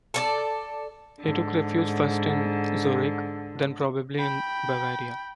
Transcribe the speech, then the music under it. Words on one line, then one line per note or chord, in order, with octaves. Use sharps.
He took refuge first in Zurich then probably in Bavaria.
A4 C#5 D5
G#2 D3
G5 B5